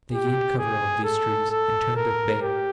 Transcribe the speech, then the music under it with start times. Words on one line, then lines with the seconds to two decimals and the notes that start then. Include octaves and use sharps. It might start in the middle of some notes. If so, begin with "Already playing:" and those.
They gained cover of these trees, and turned at bay.
0.12 G4
0.58 G#4
1.04 A4
1.51 A4
1.96 A#4
2.42 G4